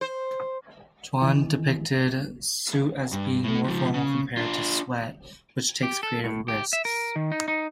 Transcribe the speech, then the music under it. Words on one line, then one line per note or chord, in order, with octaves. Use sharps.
Juon depicted "Suit" as being more formal compared to "Sweat" which takes creative risks.
C5
D#3 E3
G2
A2 A3
C#2 F3
C#3
D4 F4
G4
A4
A2
G4
E5
A#4
D#3
D#4
D#4